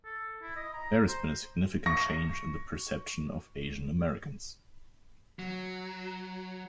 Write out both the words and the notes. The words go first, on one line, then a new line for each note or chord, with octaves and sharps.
There has been a significant change in the perceptions of Asian Americans.
A4
E4
D#5
A#5
C5
C#6 A#6
F#3